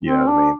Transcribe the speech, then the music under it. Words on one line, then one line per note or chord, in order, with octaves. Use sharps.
You know what I mean?
C4
D4